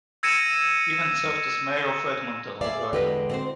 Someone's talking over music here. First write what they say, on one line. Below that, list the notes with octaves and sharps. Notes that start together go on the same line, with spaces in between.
Evans served as Mayor of Edmonton, Alberta.
E6 G#6 A#6 C#7 D#7 E7
G#4 D5 E5 F5
E2 D3 G#3 G4 B4 D#5
C4 F#4 C5